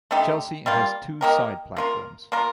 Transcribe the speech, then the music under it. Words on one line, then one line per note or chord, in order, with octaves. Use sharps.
Chelsea has two side platforms.
D3 A3 D#4 G4
G3 A#3 F4
A#3 D#4 G4 A#4
A#3 F4 A#4
A#3 F4 A#4